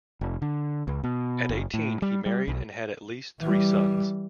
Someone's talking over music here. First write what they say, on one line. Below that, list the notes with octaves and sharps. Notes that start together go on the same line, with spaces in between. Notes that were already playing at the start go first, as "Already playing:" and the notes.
At eighteen he married and had at least three sons.
F1
D3
C#2
B2
F#1
A2
G3
G3
B1
E3 G3